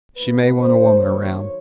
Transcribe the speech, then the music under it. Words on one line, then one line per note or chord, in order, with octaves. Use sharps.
She may want a woman around.
A2 E3 G3 A#3 B4
D3 G3 A#3 C5
D#3 F#3 A#3 C#5